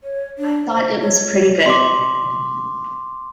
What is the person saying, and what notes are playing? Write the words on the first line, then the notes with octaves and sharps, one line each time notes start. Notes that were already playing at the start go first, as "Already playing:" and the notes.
I thought it was pretty good.
C#5
D4
C5
C#5
C6 D6